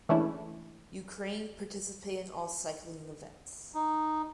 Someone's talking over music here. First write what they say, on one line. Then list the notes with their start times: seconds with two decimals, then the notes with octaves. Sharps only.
Ukraine participated in all cycling events.
0.09 E3 G#3 A3 C#4 D4 E4
3.74 D#4